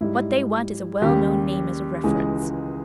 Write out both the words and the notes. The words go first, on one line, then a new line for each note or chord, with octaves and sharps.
What they want is a well-known name as a reference.
G#2 G3 E4
D#2 C#3 G3 G4
C#2 C#3 E3 G#3 G#4